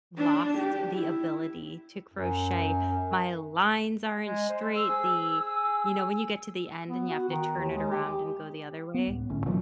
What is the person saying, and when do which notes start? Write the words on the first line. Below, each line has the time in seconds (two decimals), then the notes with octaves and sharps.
lost the ability to crochet. My lines aren't straight, the you know, when you get to the end and you have to turn it around and go the other way?
0.18 D4
0.58 G4
0.95 E4
2.13 F#2
4.22 G#3
4.49 C5
4.75 E6
4.89 G#4
6.87 B3
7.10 F#4
7.29 D#3
7.59 D#2
7.76 G#3
7.92 G4
8.94 B3
9.07 C#2 A2
9.29 G#1 A2 D3 C#4
9.46 A#2 E3 F#3 A3